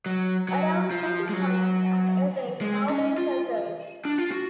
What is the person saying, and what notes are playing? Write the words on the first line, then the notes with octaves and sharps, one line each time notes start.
Around twenty poems and essays have been preserved.
F#3
F#3
F3
G#3
F#3
G#3
C#4
F4
D4
F4
F#4